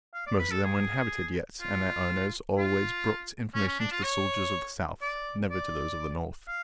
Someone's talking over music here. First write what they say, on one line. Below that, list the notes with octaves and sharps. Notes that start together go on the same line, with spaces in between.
Most of them were inhabited yet, and their owners always brought information to the soldiers of the South, never to those of the North.
F5
D5
B4
A4
G#4
F4
F4
C#4
C#4
D4
F4
C#5
D5
D5
F5